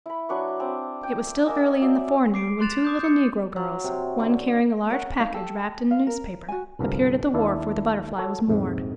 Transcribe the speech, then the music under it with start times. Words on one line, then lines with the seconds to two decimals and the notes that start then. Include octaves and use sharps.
It was still early in the forenoon when two little negro girls, one carrying a large package wrapped in a newspaper, appeared at the wharf where the Butterfly was moored.
0.06 E4 B5
0.29 F#3 D4 B4 C#6
0.60 C4 D4
1.03 G5
1.46 A#3 D#5 G#5 E6
1.81 F#3 D5 E5
2.34 D6 C7 D7
2.61 C6 F#6 A6 E7 F7
2.85 D6 D#6 G6
3.00 G6 C#7
3.56 F#3
3.84 C3
4.20 D3
4.89 A#4 C#5 F#5
5.20 D#4 C#5 F5 A5
5.34 G4 A4
5.91 F5
6.07 A#4
6.49 F#4 G#5
6.79 C2 G2 D3 F3 A#4
7.33 D#2 D4 E4 D5 F5
8.18 F#4 A4 C#5
8.47 A#1 F2 G#2 C3